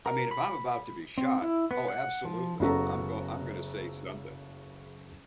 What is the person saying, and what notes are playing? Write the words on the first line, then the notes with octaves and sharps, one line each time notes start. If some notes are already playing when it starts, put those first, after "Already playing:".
I mean, if I'm about to be shot, oh, absolutely, I'm go I'm gonna say something.
A#4
B5
C4
E4
B3
F#5
F3
F#1 C#3 B3 F#4 A4 A#5